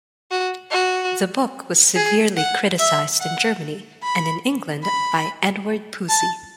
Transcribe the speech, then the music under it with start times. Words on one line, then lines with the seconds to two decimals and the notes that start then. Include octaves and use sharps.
The book was severely criticized in Germany, and in England by Edward Pusey.
0.31 F#4
0.71 F#4
1.96 G#4
2.37 F#5
2.79 E5
3.20 F#5
4.03 B5
4.84 B5
6.09 A5